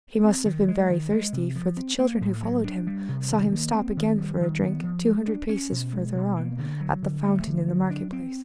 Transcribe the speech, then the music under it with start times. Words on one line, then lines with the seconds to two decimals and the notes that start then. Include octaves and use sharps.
He must have been very thirsty: for the children who followed him saw him stop again for a drink, two hundred paces further on, at the fountain in the market-place.
0.24 C4
0.45 D#3
0.68 G#3
0.90 D#3
1.11 G#3
1.33 C3
1.55 F3
1.77 C4
1.99 A#3
2.21 A2
2.43 F#3
2.65 D4
2.87 G3
3.08 C3
3.30 D#3
3.52 A#3
3.74 C4
3.97 D#3
4.18 G3
4.40 D#3
4.62 B3
4.83 F3
5.06 G#3
5.27 D4
5.49 C#4
5.72 B2
5.93 G#3
6.15 B2
6.37 A#3
6.59 D3
6.81 F#3
7.02 D3
7.25 A3
7.47 D3
7.68 F#3
7.90 D4
8.13 C4